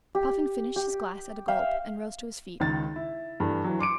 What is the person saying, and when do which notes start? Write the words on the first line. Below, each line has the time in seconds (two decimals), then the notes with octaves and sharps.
Puffin finished his glass at a gulp, and rose to his feet.
0.15 G4
0.76 G4
1.48 E5 F5 G5
2.60 C#2 D#3 A6
2.96 E4
3.40 G2 E3 A3
3.64 E3 F#3
3.79 C6 D6 C#7 D7